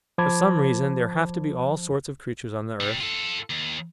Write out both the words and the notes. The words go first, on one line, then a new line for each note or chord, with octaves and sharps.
For some reason there have to be all sorts of creatures on the earth.
F3 C5 A5 B5 D6 G#6
C3 G3
F4 A4
D#2